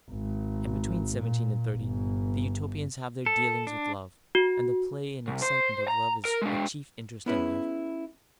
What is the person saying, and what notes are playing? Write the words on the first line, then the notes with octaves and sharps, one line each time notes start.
And, between seventeen and thirty, the Utopians have their dealings with love, and the play and excitement of love is a chief interest in life.
G#1
A#2
G1
A4
D4
F#4
C2
C5
A#5
A#4
G#3 D4
B3 C#4 E4 G#4 B4